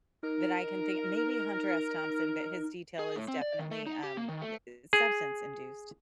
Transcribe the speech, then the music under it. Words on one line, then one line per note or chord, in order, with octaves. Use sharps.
that I can think maybe Hunter S. Thompson, but his detail is definitely, um, eh eh, substance-induced,
D#4 A#4
G#4
A2
C4
D5
D#3
A3
D#4
G4
A#3
D#3
A3
G#4